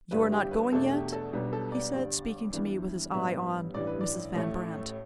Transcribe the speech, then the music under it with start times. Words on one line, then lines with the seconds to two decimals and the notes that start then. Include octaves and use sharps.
"You are not going yet?" he said, speaking to me with his eye on Mrs. Van Brandt.
0.11 G1 G2 G3 E4 B4
0.32 G4
0.51 B4
0.72 E2 B2 A3 D4 A4
0.92 G4
1.13 A4
1.33 B1 B2 G3 B3 D4
1.53 A4
1.72 D5
1.93 G1 G2 G3
2.53 G2 E3 G3 B3 D4
3.13 A1 G2 G3 B3 E5
3.74 A1 G2 E3 D5
3.87 B4
4.01 D5
4.34 A1 A2 A3 E4